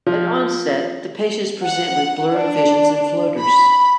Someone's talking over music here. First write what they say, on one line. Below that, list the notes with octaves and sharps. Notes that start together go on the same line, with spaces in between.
At onset the patients present with blurred vision and floaters.
F3
F#5
D4
B5